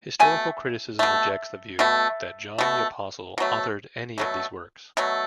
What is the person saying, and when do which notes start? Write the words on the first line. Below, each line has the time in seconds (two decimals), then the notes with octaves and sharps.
Historical criticism rejects the view that John the Apostle authored any of these works.
0.20 B2 A3 G#5
0.99 B2 A3
1.79 B2 A3
2.58 B2 A3
3.38 B2 F#3 A3
4.18 B2 F#3 A3
4.97 B2 F#3 A3